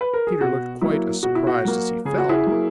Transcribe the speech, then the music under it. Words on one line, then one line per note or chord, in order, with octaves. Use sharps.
Peter looked quite as surprised as he felt.
B4
A#4
G#4
B2 F#4
F#3 A#3 E4
B2 F#4
E4
F#4
F#3 A#3
C#3 G#4
F#4
E4 G#4
F#3 A#3